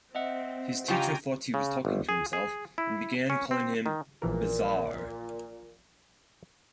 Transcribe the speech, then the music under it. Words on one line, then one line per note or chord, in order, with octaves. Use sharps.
His teacher thought he was talking to himself, and began calling him 'Bizarre'.
C4 D#5 E5 F#5
C#3 F4 G4 G5 G#5 A#5
C#3
G1
G#4
G#4
E4
C#4
C4
D#3
A#1 A#2 E3 A#4